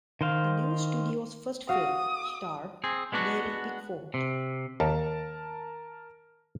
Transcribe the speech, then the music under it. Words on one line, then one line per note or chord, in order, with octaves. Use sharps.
The new studio's first film starred Mary Pickford.
D#3 C5 F5
F#4 F5 D#6
C4 G#4
G#3 B3 D4 F#4
C3
D#2 A#4 A5